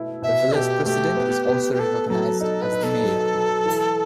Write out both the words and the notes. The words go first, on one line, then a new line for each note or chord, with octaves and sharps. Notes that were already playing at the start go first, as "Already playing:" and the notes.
The village president is also recognized as the mayor.
Already playing: B2 A3 E4
B2 E5
B2 G4
A3 G4
B3
B3
G4
B3 A4
F#3 A4
D#4 A4
B4
D#4
A4
F#3
F#3
E3